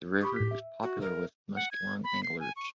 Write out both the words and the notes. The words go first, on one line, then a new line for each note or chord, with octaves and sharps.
The river is popular with muskellunge anglers.
G4 B5 C#6 D#6
A2 B6
E5
F#4
A#4
F#5
G#6
B5
C7
G#5
C#6